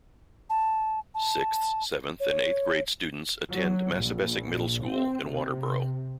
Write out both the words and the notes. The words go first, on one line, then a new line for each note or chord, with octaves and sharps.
Sixth,seventh and eighth grade students attend Massabesic Middle School in Waterboro.
A5
A5
C#5
F#3
A#1
C4
C3